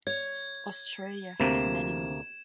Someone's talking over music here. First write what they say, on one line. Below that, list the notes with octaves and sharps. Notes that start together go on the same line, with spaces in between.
Australia has many more.
C#5 G#6
D2 C3 A#3 C4 E7